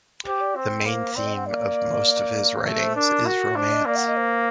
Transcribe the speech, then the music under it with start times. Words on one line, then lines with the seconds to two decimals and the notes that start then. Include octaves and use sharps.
The main theme of most of his writings is romance.
0.26 G4 C5
0.40 D5
0.56 C4 C5
0.86 A#3
1.16 C4 D5
1.26 D#5
1.36 F#5
1.46 A#3 D5
2.65 A3
2.80 C5
2.96 D4 A#4
3.26 F#4
3.55 D4 C5
3.72 D#5
3.86 A#3 D5
3.96 F#5
4.07 D#5
4.16 C5